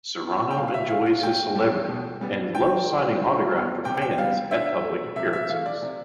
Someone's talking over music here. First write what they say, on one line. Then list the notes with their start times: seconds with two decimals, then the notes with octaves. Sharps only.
Serrano enjoys his celebrity and loves signing autographs for fans at public appearances.
0.24 B3
0.51 G5
0.57 B2 F5
0.68 F5
0.74 E5
0.90 A3 F5
1.06 F5
1.22 A2 G5
1.55 G3 B3
1.89 B2
2.21 G3 B3
2.54 D3 G5
2.87 A3
3.20 D3
3.52 G3 B3
3.85 C3 G5
4.02 G5
4.18 G3 B3 F5
4.51 D3 E5
4.84 A3
5.16 C3 E5
5.33 E5
5.49 E3 A3 F5
5.66 D5
5.82 C3